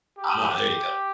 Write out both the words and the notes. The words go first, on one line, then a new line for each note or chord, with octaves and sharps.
Ah, there you
G4